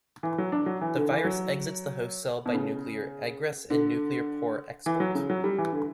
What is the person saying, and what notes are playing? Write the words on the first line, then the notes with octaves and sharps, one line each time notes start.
The virus exits the host cell by nuclear egress, and nuclear pore export.
E3
F#3
D4
F#3
E3
D3
E3
F#3
B2
C#3
D3
E3
F#3
C#3
F#3
G3
E3
D3